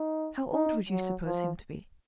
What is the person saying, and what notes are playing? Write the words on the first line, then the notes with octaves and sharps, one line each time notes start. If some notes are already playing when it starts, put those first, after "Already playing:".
"How old would you suppose him to be?"
Already playing: D#4
D#4
F#3
F3